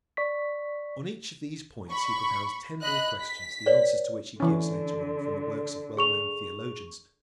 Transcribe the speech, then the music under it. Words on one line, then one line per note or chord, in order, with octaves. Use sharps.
On each of these points he propounds ten more questions, the answers to which he gives later on from the works of well-known theologians.
D5 C#6 B6
B5 C#6
D#5 B5 F#6
B6
B4 C#5 D5
D3 E3 C#4
G#4 C#6 F7